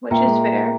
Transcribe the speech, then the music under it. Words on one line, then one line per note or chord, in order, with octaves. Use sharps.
which is fair.
A#2 A#3 B4 E5 G5 A#5
G#3